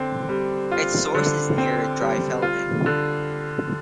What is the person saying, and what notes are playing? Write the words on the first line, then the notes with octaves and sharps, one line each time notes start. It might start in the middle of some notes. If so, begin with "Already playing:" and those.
Its source is near Dreifelden.
Already playing: D3 C4
G3
F4
D3
C4
G3
F4
D3